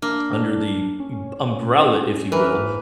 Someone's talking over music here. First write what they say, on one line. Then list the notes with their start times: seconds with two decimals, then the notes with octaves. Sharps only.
under the m umbrella, if you will,
0.02 A#3 D4
1.00 C#4
2.32 E3 A#4 B4
2.58 G#2